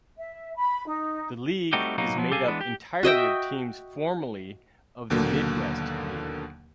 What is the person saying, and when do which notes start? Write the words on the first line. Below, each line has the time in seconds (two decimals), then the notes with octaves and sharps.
The league is made up entirely of teams formerly of the Midwest League.
0.17 E5
0.56 B5
0.86 D#4
1.73 G3 A3 C4 D#4 F#4 G4
1.98 B2 F#3 A#3 D#4
2.17 F3 F#3 B3
2.31 B1 G4 A4 F5 G#5
2.47 E3 G#3 B3 D4
2.61 G4
3.03 F#4 D#5 E5 G5
5.10 D#2 B2 D3 F#3 A#3